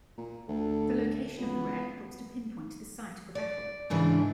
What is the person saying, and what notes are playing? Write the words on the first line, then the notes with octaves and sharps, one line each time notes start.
The location of the wreck helps to pinpoint the site of the battle.
A#2
D2 A4
C#2 B3
D5
G#2 C#3 E3 D4